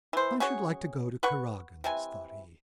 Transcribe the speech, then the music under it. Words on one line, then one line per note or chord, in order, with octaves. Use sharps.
"I should like to go to Kuragin's," thought he.
E3 C5
C#4 F#4 G#4 C#5
B4 F#5 C#6
C3 E3 G#5